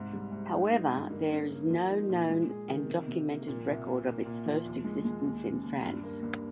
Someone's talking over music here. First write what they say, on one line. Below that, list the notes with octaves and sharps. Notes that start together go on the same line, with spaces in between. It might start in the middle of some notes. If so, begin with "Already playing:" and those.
However, there is no known and documented record of its first existence in France.
Already playing: C2 G#2
G3
G#2
D#4
D#4
G2
A#3
C#4
A#3
F3
D#4
A#2
G#3
G#4
D#3
C3
C3
A#3
A#2
C2
A#2
A#3
A#2
F3
D#2
G#3
G#3
D#2
C#3
D#2
G2
A#3
G2